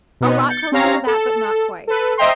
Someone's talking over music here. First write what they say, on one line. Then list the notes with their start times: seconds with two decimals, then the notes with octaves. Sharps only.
A lot closer to that but not quite.
0.20 B2 B3 D#4
0.49 G6 A6 C#7
0.72 C4 C#4 G4 C#5 F5 A#5
1.07 A4
1.87 A4 B4
2.17 C5 D#5 E5 G5 A#5 C6